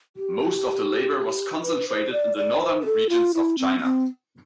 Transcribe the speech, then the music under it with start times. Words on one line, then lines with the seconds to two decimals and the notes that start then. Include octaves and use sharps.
Most of their labour was concentrated in the Northern regions of China.
0.16 G4
1.64 B4
1.89 C5
2.12 D5
2.37 D5
2.62 C5
2.81 B4
2.85 A4
3.10 F4
3.34 E4
3.59 C4
3.79 B3
3.83 C4